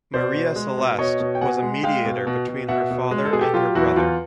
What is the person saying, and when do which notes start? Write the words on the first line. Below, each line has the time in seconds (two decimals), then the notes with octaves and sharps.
Maria Celeste was a mediator between her father and her brother.
0.14 B2 C5 D5
0.35 B2
0.56 G#3
0.78 B2
0.98 B2 C#5 D#5
1.20 B2
1.35 G5
1.41 B2 F#5 G#5
1.62 G#3
1.83 G#3 F5 G5
2.05 B2
2.27 B2
2.47 B2
2.68 B2 E5 F#5
2.90 B2
3.11 G#3
3.25 A4
3.32 B2 G#4
3.41 G4 A4
3.54 F#3 F4 G4
3.75 E2 E4 F#4
3.96 E2 F4